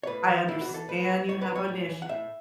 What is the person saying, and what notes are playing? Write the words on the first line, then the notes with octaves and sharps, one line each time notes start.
"I understand you have an issue.
C#5
A2 B4
E3
A2 E4
F#4
E3
A4
A2 B4
F#3
A2 C#5
B4
F#3
C#5
A2
E3
F#5
A2 E5